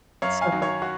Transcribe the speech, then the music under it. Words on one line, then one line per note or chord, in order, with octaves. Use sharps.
So far.
F#2 C#5 F5
F5 G#5
D#3 F#3
C#5 F5
F#4